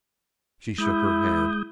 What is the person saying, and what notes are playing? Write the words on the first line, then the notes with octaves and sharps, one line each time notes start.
She shook her head.
G#3 E4 D#6 G6